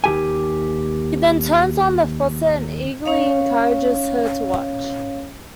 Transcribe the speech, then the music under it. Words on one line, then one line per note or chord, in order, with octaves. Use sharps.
He then turns on the faucet and eagerly encourages her to watch.
D#2 G4 G#5
C#4 C#5 F5